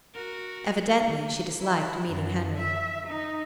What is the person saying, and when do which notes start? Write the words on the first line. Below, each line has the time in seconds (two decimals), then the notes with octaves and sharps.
Evidently she disliked meeting Henry.
0.14 F#4 A#4
1.60 E4
2.07 F#2
2.58 E5
3.07 D#4